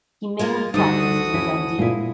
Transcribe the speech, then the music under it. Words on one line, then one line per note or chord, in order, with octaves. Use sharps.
He mainly practiced in Dundee.
G#3 A#3 F4
D2 D3 G3 D#4 F#4 A4 D#6 A6
C#4 E4
A#2 G#3 E4 F4